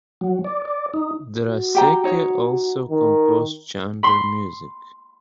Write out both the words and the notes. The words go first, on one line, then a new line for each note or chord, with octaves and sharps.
Draeseke also composed chamber music.
F#3
D5
D5
D#4
F#4
G4 G5 A#5
D#4 C#5
D#3
B5 C6